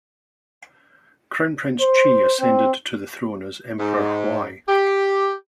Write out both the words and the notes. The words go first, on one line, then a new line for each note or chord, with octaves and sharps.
Crown Prince Chi ascended to the throne as Emperor Huai.
C5
C4
G#2
G4